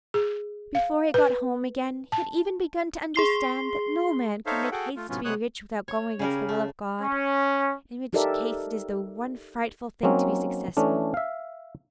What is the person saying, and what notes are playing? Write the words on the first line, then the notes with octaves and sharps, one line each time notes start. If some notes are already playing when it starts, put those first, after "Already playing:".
Before he got home again, he had even begun to understand that no man can make haste to be rich without going against the will of God, in which case it is the one frightful thing to be successful.
G#4
F5
B4
A5
G#4 C6 C7 G7
D#4 A4 C5 C#5 E5 F5
F#4 G#4 A4 F#5 G5
A3 F4
A2 C3 F#3 B3 C#4 F4
C3 G#3 B3 C#5 D#6 F#6
C#5
C#3 G3 C#4 A#4
A3
C#4
D#4 G4 A4 A#4 D5 E5
F#3 A#3 C4 C#4 D#4
E3 A3 C#4 D4
E5 F5